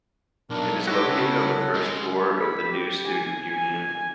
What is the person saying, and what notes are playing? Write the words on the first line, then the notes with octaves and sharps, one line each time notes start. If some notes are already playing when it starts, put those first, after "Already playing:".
It is located on the first floor of the new Student Union.
B1 F#3 D4 A#4
E4 F#4 G4 A4 C#5
C#3
G#3 C#4
B5
G4
G#5
G#5